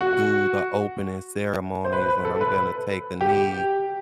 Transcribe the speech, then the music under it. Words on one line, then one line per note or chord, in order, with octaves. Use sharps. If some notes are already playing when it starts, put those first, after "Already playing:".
do the opening ceremonies, and I'm gonna take a knee
F#4
C5
B4
B4
A4
B4
G4